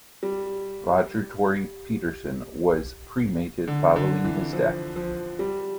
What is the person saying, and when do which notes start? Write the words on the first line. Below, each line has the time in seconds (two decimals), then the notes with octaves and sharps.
Roger Tory Peterson was cremated following his death.
0.23 G3
3.68 D3
3.96 D3
4.24 E3
4.53 F3
4.96 F3
5.39 G3